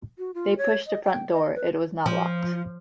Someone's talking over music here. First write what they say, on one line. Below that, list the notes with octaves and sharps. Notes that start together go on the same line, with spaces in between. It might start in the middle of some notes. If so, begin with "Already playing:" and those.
They pushed the front door — it was not locked.
F#4
F4
C#5
D#5
G5
D#5
B4
F3